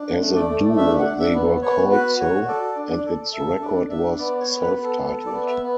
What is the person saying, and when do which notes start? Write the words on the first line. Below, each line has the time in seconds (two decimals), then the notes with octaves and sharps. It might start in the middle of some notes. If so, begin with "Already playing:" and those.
As a duo they were called So, and its record was self-titled.
Already playing: D4
0.20 A3
0.35 D5
0.49 A3
0.77 D4 E5
0.99 F#5
1.06 D4
1.20 E5
1.34 B3
1.62 B3 C#5
1.91 F#4 B4
2.19 F#4 C#5
2.48 A4 D5
2.76 D4
2.91 D5
3.06 A4
3.33 A4 E5
3.62 D4 D5
3.90 D4 E5
4.18 B3 D5
4.40 C#5
4.48 B3
4.62 B4
4.76 B3
4.83 A4
5.05 A4
5.26 D5
5.32 B3
5.47 E5
5.62 B3